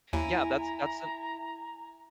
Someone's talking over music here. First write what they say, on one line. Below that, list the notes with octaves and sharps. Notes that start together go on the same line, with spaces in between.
Yeah, that's that's an
D#2 E4 G#5 A#5